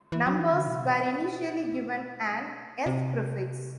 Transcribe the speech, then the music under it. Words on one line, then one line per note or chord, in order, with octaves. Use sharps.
Numbers were initially given an 'S' prefix.
E3
F#3
E3
D3
B2
C3
B2
C3